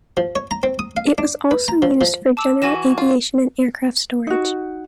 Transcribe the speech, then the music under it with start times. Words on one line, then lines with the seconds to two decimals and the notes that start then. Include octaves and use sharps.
It was also used for general aviation and aircraft storage.
0.17 F3
0.36 C#5
0.51 A#5
0.63 C4
0.79 D#6
0.97 F5
1.18 D4
1.51 B4
1.68 A#5
1.82 F3
2.01 F3
2.37 A5 D6 E6
2.62 E3 F#4 G#5 A#6 E7
2.98 F4
4.27 D#4 F#4